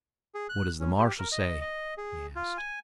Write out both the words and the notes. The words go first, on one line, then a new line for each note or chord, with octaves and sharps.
"What does the marshal say?" he asked.
G#4
F#6
C#4
G4
A#4
D#5
D#5
G#4
F4
G#5